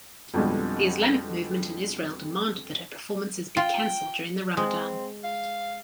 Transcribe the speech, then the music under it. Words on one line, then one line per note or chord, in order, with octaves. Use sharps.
The Islamic Movement in Israel demanded that her performances be cancelled during the Ramadan.
F2 B2 D3 G3 G#3
F4 G5
G#3 C4
F5